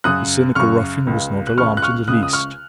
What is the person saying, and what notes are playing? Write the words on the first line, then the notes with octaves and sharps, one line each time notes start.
The cynical ruffian was not alarmed in the least.
F#2 C#3 D#6 F#6
F#2 C#3 C#6 F6
C#2 C#3
F#6
C#2 C#3 C#6 F6
F#6
C#6 F6
C#2 C#3 D#6 F#6
D#6
C#6 F6